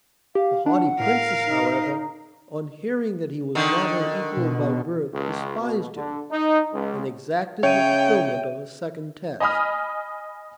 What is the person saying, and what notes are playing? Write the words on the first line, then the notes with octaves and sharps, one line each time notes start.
The haughty Princess, however, on hearing that he was not her equal by birth despised him, and exacted the fulfilment of a second task.
G4 F5
D4 F#5
A2 A#4 F5
D#4
D3 D#3
B2
C#2
B2
D3
D#4
C#2
C#3 C#5 E5 G5 D#7
D#5 G#5 B5 D#6 F6